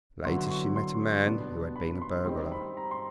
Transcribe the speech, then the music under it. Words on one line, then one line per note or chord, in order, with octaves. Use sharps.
Later she met a man who had been a burglar.
D3 F#3 B3 E4 C6
C#6
C6
B2 G3 B3 D4
B5
C6
D#3 G3 C4 D#4 C6
B5
A#5
C6